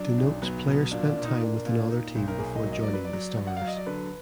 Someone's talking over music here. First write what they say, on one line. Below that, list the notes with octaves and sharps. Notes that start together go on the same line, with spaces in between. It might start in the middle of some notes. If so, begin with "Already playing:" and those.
Denotes player spent time with another team before joining the Stars.
Already playing: F#3 D4
B1
F#3 B3
B2
A#2 D4
D4
A#2
D#4
A#3 D4
A#2
A#2 D#4
B1
A#4
A#3 G#4
D#5
F#3
D#5
D5
F#3
B4
D5
F#3
F#3
F#5
F5
F#3
D#5
D5
D3 B4